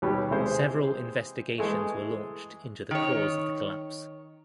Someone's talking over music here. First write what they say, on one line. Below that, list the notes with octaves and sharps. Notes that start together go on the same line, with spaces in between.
Several investigations were launched into the cause of the collapse.
D#2 B2 G3 G4 B4 C#5
C3 E3 G#3 C5
E3 G#3 A3
D#3 C#5